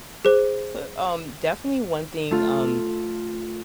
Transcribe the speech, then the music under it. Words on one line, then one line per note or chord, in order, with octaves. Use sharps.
So, um, definitely one thing, um,
G#4 C5
A3 F4